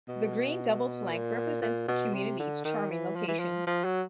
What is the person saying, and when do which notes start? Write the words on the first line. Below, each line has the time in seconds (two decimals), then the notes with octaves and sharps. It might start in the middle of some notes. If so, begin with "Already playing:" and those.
The green double flank represents the community's charming location.
0.08 B2
1.11 A#2
1.62 A#2
1.88 B2
2.14 C3
2.39 D3
2.65 D#3
2.90 E3
3.16 F3
3.28 E3
3.40 F3
3.67 F3
3.84 F#3